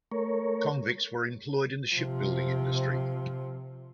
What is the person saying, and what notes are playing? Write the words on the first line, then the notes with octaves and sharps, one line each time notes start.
Convicts were employed in the shipbuilding industry.
A3 A#4 C#5
C3 F3